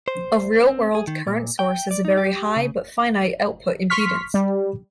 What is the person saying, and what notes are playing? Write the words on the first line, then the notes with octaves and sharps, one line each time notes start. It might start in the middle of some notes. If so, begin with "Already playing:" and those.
A "real-world" current source has a very high, but finite output impedance.
C5
C4
G#4
D#3
A#2
G5
D5
D#4
G4
C#3
C6 C#6 F6 B6
G3